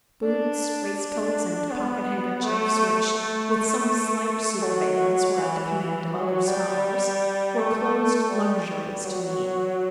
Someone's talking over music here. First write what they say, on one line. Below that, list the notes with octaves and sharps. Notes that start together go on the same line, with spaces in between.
Boots, waistcoats, and pocket-handkerchiefs, which, with some slight superveillance, were at the command of other scholars, were closed luxuries to me.
D4
D4
B3
A3
A3
F#3
E3
F#3
G3
A3
G3
F#3